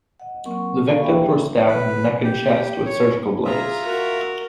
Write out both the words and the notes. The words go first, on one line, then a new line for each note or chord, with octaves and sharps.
The victims were stabbed in the neck and chest with surgical blades.
D#5 F#5
F#3 A#3 C4 A#4 F#5 C#6
D5 D#5 F5 A#5 B5 C#6
A#3 D4 G4 G#4 E5 G5
B4
G4
C#5
F4 G#4 E5 A#5
F#4 A#4